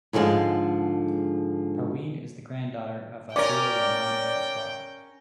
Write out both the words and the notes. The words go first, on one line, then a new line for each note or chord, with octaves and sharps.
Parween is the grand daughter of Abdul Rahman Pazhwak.
G#2 D3 F3 G#3 A5
C#4 A#4 D5 G5